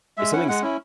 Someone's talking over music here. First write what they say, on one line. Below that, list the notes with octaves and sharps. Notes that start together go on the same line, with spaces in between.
If something's
G#3 E5
C#4 E4 F#5
G#3 F#5
C#4 E4